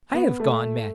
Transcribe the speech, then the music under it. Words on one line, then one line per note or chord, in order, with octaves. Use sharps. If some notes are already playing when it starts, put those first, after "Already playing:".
I have gone mad....
B3
A3